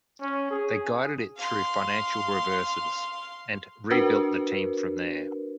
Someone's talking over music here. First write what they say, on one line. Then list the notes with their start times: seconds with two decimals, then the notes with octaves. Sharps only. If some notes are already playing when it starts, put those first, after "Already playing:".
They guided it through financial reverses, and rebuilt the team from there.
0.21 C#4
0.51 G#4
1.37 F5 C6
3.90 D4 F#4 A#4 B4